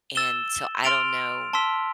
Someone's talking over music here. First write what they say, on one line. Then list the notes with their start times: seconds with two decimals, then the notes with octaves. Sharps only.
and so, I don't know
0.15 E6 A6 E7 G7
0.84 C6 F6 A6 D7 F7
1.53 A5 C6 E6 B6